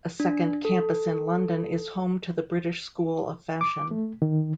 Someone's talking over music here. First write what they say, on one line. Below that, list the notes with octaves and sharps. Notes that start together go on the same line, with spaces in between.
A second campus in London is home to the British School of Fashion.
D4
A4
D6
A3
D#3